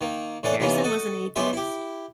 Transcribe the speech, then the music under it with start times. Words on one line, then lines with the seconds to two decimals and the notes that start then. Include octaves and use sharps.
Harrison was an atheist.
0.01 D#3 A#3
0.43 A2 E3 D4 G#4 A4 F#5
0.60 C3 D#3 E3 B3 C#4 F4
0.84 F#4 A4 D#5
1.36 F#2 G#3 B3 G4 E5 C6
1.53 E4 G4